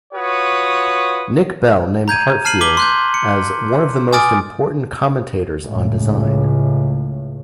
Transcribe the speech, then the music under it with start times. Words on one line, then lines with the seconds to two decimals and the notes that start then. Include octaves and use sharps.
Nick Bell named Heartfield as "one of the most important commentators on design".
0.14 F4 F#4 B4 C#5 D#6
2.08 A#5 G6 G#6 D#7
2.45 A5 F6 C7 D#7 F#7
2.61 D6 B6 F#7 G7
2.77 C6 F#6 G6
3.14 C#7
4.13 G#5 D6 D#6 F6 A6 D7
5.64 C#2 A2